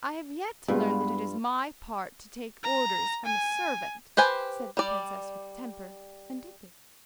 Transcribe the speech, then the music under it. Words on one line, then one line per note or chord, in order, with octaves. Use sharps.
"I have yet to learn that it is my part to take orders from a servant," said the princess with temper and dignity.
G2 G#3 B3 E4 F4 G#4 B5
A#5
G#5
G4 B4 C5 G#5
G3 D5